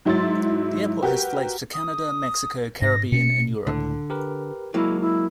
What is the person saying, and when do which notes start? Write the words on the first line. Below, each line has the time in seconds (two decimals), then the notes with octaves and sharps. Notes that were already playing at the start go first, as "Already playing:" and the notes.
The airport has flights to Canada, Mexico, Caribbean, and Europe.
0.05 G#2 F#3 E4 C6 E6 A6
1.02 F#4 G4 A#4 B4
1.73 D#6
2.82 G#2 A#6
3.12 B2 C#4 C#7
3.67 C#2 A2 D3
4.10 G4 A#4 B4
4.74 F#3 G#3 A#3 E4
5.01 E4